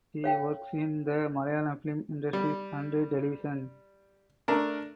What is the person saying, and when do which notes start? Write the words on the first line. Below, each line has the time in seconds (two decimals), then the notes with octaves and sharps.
She works in the Malayalam film industry and television.
0.24 C#5 F5 G5
2.33 G3
4.48 A3 D4 A#4